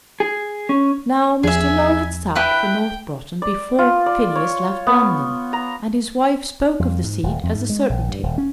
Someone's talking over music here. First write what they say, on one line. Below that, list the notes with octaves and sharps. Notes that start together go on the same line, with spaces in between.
Now Mr. Low had sat for North Broughton before Phineas left London, and his wife spoke of the seat as a certainty.
G#4
C#4
E2 F3 C4 G#4 E5 G#5
E4 B4 G5 F#6
D5
F4
D5
C#5
B3
A#5
F2
G#2
D#1
F2
G#2
G#3
A#1
G2
D#1
C#4